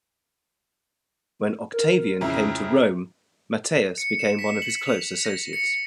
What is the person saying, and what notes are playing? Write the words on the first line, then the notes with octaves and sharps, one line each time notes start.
When Octavian came to Rome, Matius became one of his close associates.
A#4
F2 C#3 E4 A#5
C#7
E7
B6
F#7
F7
A#6
C#7